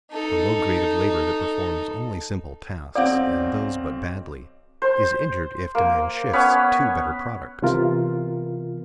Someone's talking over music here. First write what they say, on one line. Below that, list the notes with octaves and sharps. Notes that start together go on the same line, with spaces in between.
A low grade of labor that performs only simple tasks, and those but badly, is injured if demand shifts to better products.
D#4 A4
B1 C4 C#5 D5 F5 F#5 D6
C5
A#3
B3 C#4 B4 C#5
C2 C3 E3 B3 F4 A#4